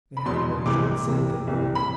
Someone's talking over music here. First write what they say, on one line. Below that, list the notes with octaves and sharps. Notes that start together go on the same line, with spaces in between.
They had but a short sleep that night.
B5
E2 B2 C6
C2 C3 E3 D6
C2 C3 E3
C2 C3 E3
B5